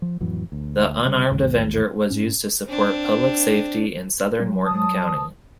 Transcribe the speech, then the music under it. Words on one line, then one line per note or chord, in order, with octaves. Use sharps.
The unarmed Avenger was used to support public safety in southern Morton County.
F3
F2 A2 E3 F#3
D2
C#3 G3
A1 D#2 G#2
G#2 C#4
C4 D4
F#3
A5 D#6